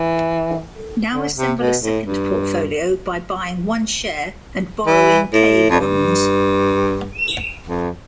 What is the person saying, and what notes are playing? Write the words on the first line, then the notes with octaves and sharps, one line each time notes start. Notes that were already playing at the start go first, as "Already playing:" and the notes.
Now assemble a second portfolio by buying one share and borrowing "K" bonds.
Already playing: E3
D3
C3
B2
A2
G2
E3
A2
F2
G2
F2